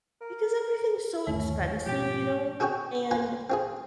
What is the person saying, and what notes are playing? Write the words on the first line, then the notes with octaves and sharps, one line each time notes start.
because everything's so expensive, you know? And
A#4
G1 D#2 A3 C#4
G#2 B2 F3 G4
C#4 F#4 G#4 C#5 G5
F4 B4 G#5
C4 F4 G#4